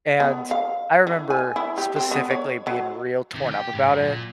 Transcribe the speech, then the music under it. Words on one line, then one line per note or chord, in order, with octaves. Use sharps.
And I remember specifically being real torn up about it,
B3
F5
E3
G#5
E4
G4
C4
B3
C#5
F#3
C3 D#3
G4
C2 G#2
F#2
A#2